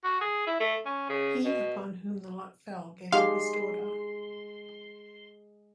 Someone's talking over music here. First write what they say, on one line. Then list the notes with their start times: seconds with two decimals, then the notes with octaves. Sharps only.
He upon whom the lot fell gave up his daughter.
0.04 F#4
0.21 G#4
0.47 E4
0.60 A3
0.85 C#4
1.09 C#3
1.44 B2
3.12 G#3 D#4 G4 G#4 F5 C6